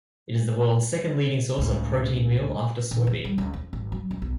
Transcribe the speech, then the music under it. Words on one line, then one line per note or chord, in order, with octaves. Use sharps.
It is the world's second-leading source of protein meal after soybean.
C#2 A2
A#2
F3
G3
C#2
F2
G#1
F#3
C#2
B1